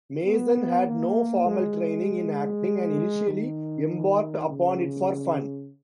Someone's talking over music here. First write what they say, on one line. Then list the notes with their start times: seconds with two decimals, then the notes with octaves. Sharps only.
Mason had no formal training in acting and initially embarked upon it for fun.
0.25 B3
0.85 A#3
1.47 G#3
3.28 D#3
4.49 C#3